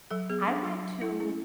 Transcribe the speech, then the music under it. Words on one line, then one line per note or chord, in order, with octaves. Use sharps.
I went to
F#3 A4
B3 G#4
D4
F#3
F#3
A3 E4
C#4 E4